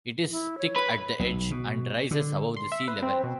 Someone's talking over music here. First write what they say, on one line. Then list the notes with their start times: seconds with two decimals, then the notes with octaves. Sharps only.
It is thick at the edge, and rises above the sea level.
0.31 E4
0.58 C#5
0.76 B4
1.20 B1
1.51 B2
2.11 D3
2.57 C6
2.72 E5
2.88 B4
3.02 C4
3.23 B2